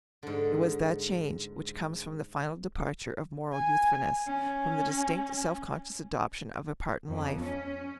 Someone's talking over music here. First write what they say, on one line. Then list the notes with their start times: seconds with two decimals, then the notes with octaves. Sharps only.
It was that change which comes from the final departure of moral youthfulness--from the distinct self-conscious adoption of a part in life.
0.23 G#2 D3
3.53 G#5
4.27 C#4
7.08 F2
7.41 C#4